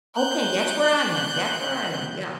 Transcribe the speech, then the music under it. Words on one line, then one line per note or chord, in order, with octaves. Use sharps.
Okay, that's where I am. That's where I am, yeah.
F#6 G6